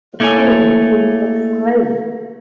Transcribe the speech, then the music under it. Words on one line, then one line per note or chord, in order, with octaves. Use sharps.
According to Exclaim!
A3 A#3 E4 A4 C#5 G#5